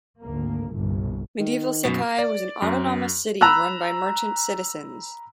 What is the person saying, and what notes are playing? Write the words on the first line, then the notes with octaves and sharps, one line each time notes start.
Medieval Sakai was an autonomous city run by merchant citizens.
G#1 D2 A#3
G1 C2 A#2
D#3
F#2 B2
D5
F#2
A#5 B5 E6 F#6